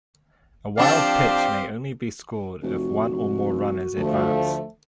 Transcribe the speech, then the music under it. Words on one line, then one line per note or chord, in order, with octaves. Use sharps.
A wild pitch may only be scored if one or more runners advance.
F3 C4 D4 G4 F5
F1 F#4
D2 F3 A3